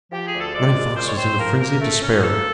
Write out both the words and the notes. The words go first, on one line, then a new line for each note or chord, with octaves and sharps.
Running Fox was in a frenzy of despair.
F3 G4
G#4
D2
A4
G#3 D5
A#2
G#3 C5
C#5
C4 C5
F3 A#4
A#3 A#4
A3
C#4
A#3 A4